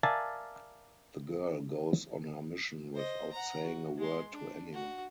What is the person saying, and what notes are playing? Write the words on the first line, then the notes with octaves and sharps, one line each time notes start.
The girl goes on her mission without saying a word to anyone.
A#4 D5 E5 F5 G#5 A5
C5 D#5
F#5 A#5
F#4
G#3 C6
D4
F#4